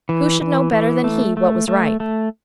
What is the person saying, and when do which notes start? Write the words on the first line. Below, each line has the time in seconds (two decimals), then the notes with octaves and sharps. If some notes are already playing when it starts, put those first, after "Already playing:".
Who should know better than he what was right?
0.09 E3
0.41 E3
0.72 E3
1.04 A3
1.37 A3
1.68 A3
2.00 A3